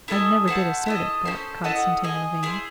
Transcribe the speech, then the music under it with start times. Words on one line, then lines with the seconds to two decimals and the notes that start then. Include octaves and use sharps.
"I never did assert it," thought Konstantin Levin.
0.08 E4 A4 D#5 G#5
0.48 E4 C5 F#5 A5
0.86 E4 A4 D#5
1.25 C#4 E4 A4 C5
1.64 E4 A4 D#5 F#5
2.04 G#4 D#5 G#5
2.43 E4 G#4 C5